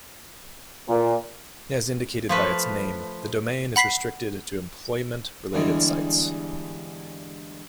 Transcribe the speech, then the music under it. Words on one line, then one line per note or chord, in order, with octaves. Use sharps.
As indicated by its name, the domain is restricted to employment-related sites.
A#2
F3 A3 B4
F#5 B5 B6 C7
E2 G2 D3 E3 G3 G#3